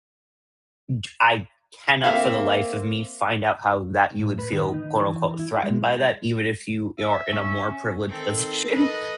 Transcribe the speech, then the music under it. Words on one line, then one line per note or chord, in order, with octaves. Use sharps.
d I cannot for the life of me find out how that you would feel, quote unquote "threatened by that," even if you are in a more privileged position.
A#3 C4 A4 C5 E5 F5
A2
B4
D#3
D#4
E3
E4
G#3
E5
C#4
D#3 C4 A4
A4 B4 D#5